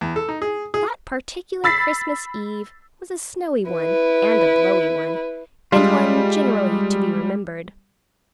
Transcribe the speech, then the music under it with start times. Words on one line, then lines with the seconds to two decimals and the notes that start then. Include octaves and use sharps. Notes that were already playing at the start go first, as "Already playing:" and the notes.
That particular Christmas eve was a snowy one and a blowy one, and one generally to be remembered.
0.01 E2
0.16 A4
0.29 D#4
0.42 G#4
0.74 G#4
1.64 B5 E6 A6 B6 C7
3.71 E4 B4
5.72 G3 G#3 F4